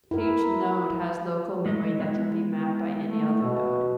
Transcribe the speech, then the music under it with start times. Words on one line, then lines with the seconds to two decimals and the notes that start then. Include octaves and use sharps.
Each node has local memory that can be mapped by any other node.
0.11 E4 A#4
1.66 G#3 A3 D#5
2.00 G#3 B3 E4
3.03 A3
3.43 B2